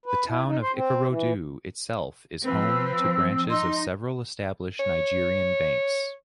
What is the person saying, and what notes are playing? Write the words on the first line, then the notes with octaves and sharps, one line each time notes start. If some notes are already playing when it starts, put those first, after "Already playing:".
The town of Ikorodu itself is home to branches of several established Nigerian banks.
B4
E4
D#4
C5
C4
E3
F3 C4 B4 E6
D#4 C6
C#5